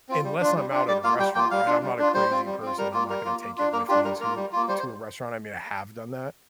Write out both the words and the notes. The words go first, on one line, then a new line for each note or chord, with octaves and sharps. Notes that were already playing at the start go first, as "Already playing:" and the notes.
unless I'm out at a restaurant, right, I'm not a crazy person, I'm not gonna take it with me to to a restaurant. I mean, I have done that.
C4 F4
G3
D4 F4
G3
D4 F4
G3 D5
A#3 F4 F5
G3 G5
A#3 F4 G5
G3 F5
D4 F4
G3
D4 F4
G3 C5
C4 F4
G3
C4 F4
G3 A#4
A#3 F4
G3 A#4
A#3 F4
A#3
D4 F4
A#3 A#4
D4 F4 G4
G3 A#4
A#3 F4 A#4
G3
A#3 F4
G3 C5
C5